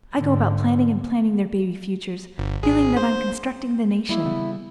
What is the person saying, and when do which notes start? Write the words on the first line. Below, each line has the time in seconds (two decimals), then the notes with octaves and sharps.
I go about planning and planning their baby futures, feeling that I'm constructing the nation.
0.15 G#2 D3
2.38 G1
2.63 G#1 G#4
2.97 C5
4.09 G3 G#3 A#3 E4
4.25 C#3 G3 B3